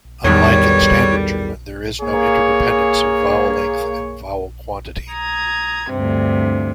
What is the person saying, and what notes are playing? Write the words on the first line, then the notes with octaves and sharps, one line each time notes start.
Unlike in standard German, there is no interdependence of vowel length and vowel quantity.
E2 A2 D#3 F#3 G3 C#5
A#3 G#4 C#5
A#5 D#6 G#6
D2 G2 C3